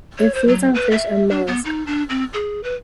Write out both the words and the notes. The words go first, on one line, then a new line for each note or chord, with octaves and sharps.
It feeds on fish and molluscs.
C#5
C5
F#3
B4
E5
D4
B3
D#4
D4
C4
G#4
B4